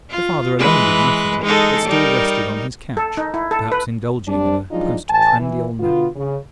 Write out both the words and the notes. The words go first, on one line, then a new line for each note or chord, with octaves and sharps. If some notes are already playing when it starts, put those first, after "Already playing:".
The father alone did nothing, but still rested on his couch, perhaps indulging in a postprandial nap.
F4
E3 G#3 B4
G#3 D#4 A4
G3 D#4 A#4
A4
D#4
E4
A4
B4
G3 C4 D4
F3 F#3 G#3 D4 D#4 F4
A1 G#5 A5
E3
B2 D3 B3 F4
C#3